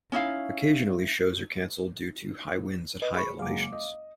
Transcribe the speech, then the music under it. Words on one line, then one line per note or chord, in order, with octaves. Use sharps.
Occasionally shows are canceled due to high winds at high elevations.
C#4 D#4 E4 F5
B4 D#5
G#4 B5 C#6
F#1 F#3 G#3 F5 D6
D#5